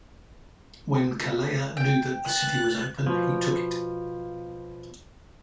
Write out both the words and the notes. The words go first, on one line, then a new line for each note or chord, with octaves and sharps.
When Calleja knew that the city was open he took it.
G5
F#6 A6
B2 F3